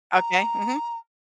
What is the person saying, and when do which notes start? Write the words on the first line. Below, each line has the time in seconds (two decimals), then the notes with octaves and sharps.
Okay, mhm.
0.14 A#5